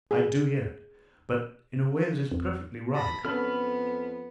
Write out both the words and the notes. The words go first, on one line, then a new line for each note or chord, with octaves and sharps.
I do yet, but in a way that is perfectly right.
G#4
F2
A5 B5 A#6
F2 B3 C#4 A4 B5 F6